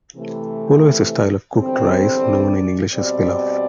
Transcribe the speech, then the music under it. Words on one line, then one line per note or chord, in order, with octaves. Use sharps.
Polo is a style of cooked rice, known in English as pilaf.
C3 E3 A3
E2 D3 G3 C4
D5
B2 G3 C4 D5